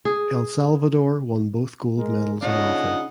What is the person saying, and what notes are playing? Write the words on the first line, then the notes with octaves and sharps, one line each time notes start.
El Salvador won both gold medals on offer.
G#4
G#3 A#4
C#3 D4 D#4 F4 C#5 D#5 F#5